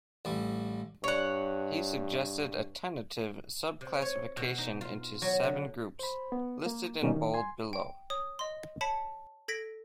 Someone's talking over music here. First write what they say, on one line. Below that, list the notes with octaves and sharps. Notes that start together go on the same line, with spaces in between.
He suggested a tentative sub-classification into seven groups, listed in bold below.
A1 G3
G2 C#5 F#5
C3
C#5
B2
D#4
F4
F#3
D3
C5 B5
B3
A#3
B2 D#3 G3 A#3 C#4 D#4
D#3
G#5 C6
G5
C#5 D#6
D#5 C6
C#5 A5 B5 B6 C#7
A4 G#6 A#6 B6 D7